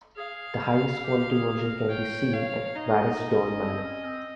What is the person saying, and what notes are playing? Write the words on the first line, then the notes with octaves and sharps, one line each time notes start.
The highest quality version can be seen at Waddesdon Manor.
G#4 F5
G4
G#4
A#4
C#5 G5
C#5 F5
D#4 D#5
D#4
C#4
C4
C#4
C4